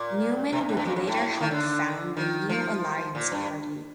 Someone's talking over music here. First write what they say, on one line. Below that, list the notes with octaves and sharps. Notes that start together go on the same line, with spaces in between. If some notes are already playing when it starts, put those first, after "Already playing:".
Newman would later help found the New Alliance Party.
Already playing: A#2
C3
G2
A2
G2
F2
F2
A2
D#3
D3
D#3
F3
A#2
G2